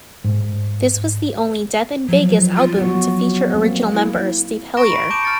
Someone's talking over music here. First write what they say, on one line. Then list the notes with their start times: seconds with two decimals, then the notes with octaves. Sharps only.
This was the only Death in Vegas album to feature original member Steve Hellier.
0.24 G#2
2.09 F3 F#3
2.57 F4
2.77 F#3 B3 F#4
3.54 A#3 C4
3.93 E4
4.77 A#5 C#6 A#6 D7 E7
4.91 B5
5.10 A5 C#6 D6 G6 D7 E7
5.23 F6 A6 C#7